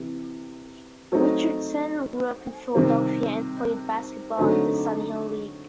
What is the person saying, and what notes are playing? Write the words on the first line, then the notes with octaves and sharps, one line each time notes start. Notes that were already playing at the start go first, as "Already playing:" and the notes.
Richardson grew up in Philadelphia, and played basketball in the Sonny Hill League.
Already playing: C3 E3
F#3 A3 C4 D#4
C3 D#3 G3 C4
D3 F#3 A3 C4 D#4